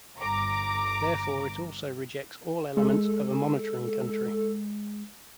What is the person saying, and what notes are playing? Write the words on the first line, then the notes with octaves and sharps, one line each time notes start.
Therefore, it also rejects all elements of a monitoring country.
G1 A#5 D6
G#3 A4